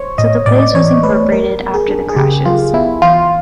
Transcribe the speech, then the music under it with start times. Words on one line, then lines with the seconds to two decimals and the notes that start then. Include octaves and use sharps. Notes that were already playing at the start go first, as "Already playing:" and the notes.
So the place was incorporated after the crashes.
Already playing: C5 C#5
0.18 A2 D#5
0.46 A2 D5
0.74 E3 C#5
1.03 A3 B4
1.32 F#3 A#4
1.60 B3
1.74 G#4
1.88 D4
2.09 G#4
2.16 C#3 G4
2.46 F#3 F4
2.73 B3 E4
3.02 E3 F4